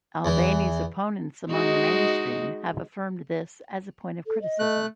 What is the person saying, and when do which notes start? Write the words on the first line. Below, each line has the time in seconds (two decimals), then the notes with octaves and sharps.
Albani's opponents among the mainstream have affirmed this as a point of criticism.
0.25 E2 E3
1.50 G#3 D#4 F#4
4.27 A4
4.42 D#5
4.59 A3 F#6